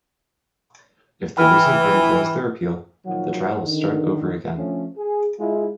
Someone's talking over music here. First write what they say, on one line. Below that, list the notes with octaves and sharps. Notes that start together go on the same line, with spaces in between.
If the losing party wins their appeal, the trial will start over again.
E3 G5 B5 F6
A#2 D#3 F3 F#3 F4 F#4
D3 D#3
D3 F3 A3 C#4
G#4
G#3 E4 F4